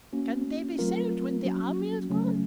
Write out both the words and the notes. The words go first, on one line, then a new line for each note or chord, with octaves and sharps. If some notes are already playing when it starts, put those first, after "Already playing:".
Can they be saved when the army has gone?
A#3 C#4 F#4
F#3 A3 C4 F4 A#4
F#3 A#3 C#4 F#4
C#3 F#3 A3 C#4